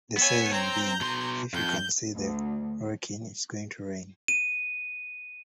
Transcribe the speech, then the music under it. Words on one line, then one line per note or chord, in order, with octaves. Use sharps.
The saying being, If you can see the Wrekin, it's going to rain.
B3 C#5 G#5 E6
C4 C5 A#5 G6
B2 C6
F2 G6
D2
D#7